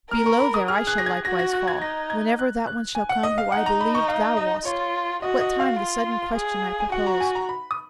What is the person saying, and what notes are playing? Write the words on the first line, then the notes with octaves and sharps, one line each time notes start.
Below there I shall likewise fall, whenever That one shall come who I believed thou wast, What time the sudden question I proposed.
A#4 F6
C#6
B5
D#6
G#4 F6
F#6
A#6
G#6
F#4 A#6
A#6
F#6
G#6
D#4 A#6
G#6
F#6
F#6
G#5
F#5
D#5
F5
D#4 F#5
A#5
B5
C#6
F5
D#5
F4 C#5
F#4 D#5
D#5
F5
F4
G#4
G#5
F#4 F#5
A#5
G#5
A#5
B5
D#6